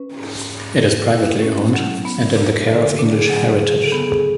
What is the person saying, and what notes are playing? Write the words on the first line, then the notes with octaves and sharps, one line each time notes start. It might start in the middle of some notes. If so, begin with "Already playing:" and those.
It is privately owned and in the care of English Heritage.
Already playing: C#4 B4
G#2
G#2
G#2 A4
E4
C#4
F#3
B3
D4
D3 A4
D4
G#4
F#3
C#3 G#4
A4
B3
G#4